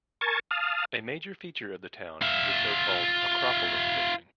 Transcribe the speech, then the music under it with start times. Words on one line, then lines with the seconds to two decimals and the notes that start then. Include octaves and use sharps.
A major feature of the town was the so-called 'acropolis' building.
0.21 A#4 G#5 A5 C#6 G#6 A6
0.51 F5 A5 D#6 F6
2.22 F4 E5